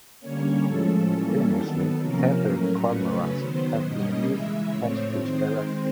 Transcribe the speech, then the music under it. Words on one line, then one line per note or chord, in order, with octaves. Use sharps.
Famously, tethered cormorants have been used to catch fish directly.
D3 G3 A#3 C#4 C#5
A2 F3 G#3 C#4 A4
E3 G3 A#3 C#4 A4
D#3 F#3 B3
C3 F3 A#3 C#4 A#4
A2 F#3 A3 C#4
C#3 F#3 A3 C#4 B4
D#3 F#3 B3 C5
B2 G3 A#3 C#4 D#5
C#3 E3 G#3 E5
A2 F3 A3 C4 C#5
D#3 G#3 C4 C5